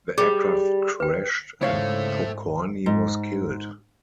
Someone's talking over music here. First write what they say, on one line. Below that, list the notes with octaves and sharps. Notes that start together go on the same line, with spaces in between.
The aircraft crashed, and Pokorni was killed.
G3 G#4
B4 G5
C#2 G#2 A3 C4 E4 C#5 F5
G#2